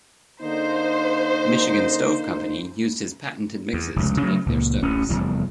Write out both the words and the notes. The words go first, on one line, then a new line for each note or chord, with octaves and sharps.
Michigan Stove Company used his patented mixes to make their stoves.
D3 A#3 D#4 C5
E2
F1 C#2
C#3 F#3 A3
C#2 A#2
D1 A1 C#4
F1 E2 G3